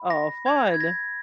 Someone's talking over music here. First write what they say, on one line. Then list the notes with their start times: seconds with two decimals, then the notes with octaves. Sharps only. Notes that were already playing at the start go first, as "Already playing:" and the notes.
Oh, fun.
Already playing: B5
0.10 A#6
0.46 G#6
0.74 G#6
0.80 A#6